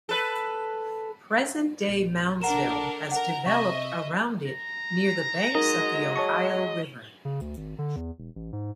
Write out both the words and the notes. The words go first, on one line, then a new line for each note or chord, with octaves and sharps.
Present-day Moundsville has developed around it near the banks of the Ohio River.
A4 B4
A#1
D4 A4 A#4 F#5 A#5 E7
A#4 F#5 A#5
C3 D#5 E5 C#6 A#6
A#5
F#3 G#3 D#4 A#4 D#5
C#5 A5 C#6
C#3
D2
G#1
D3
E2
E1
A1
G#2